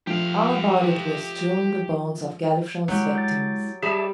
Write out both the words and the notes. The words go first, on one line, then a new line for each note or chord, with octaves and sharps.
All about it were strewn the bones of Galifron's victims.
F3 A3 G4 F5
F#3 G#3 E4 G4
G6 A6
G3 G4 G#4 E5 A5